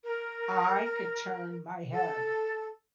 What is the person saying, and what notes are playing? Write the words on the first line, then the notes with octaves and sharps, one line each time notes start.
I could turn my head.
A#4
A4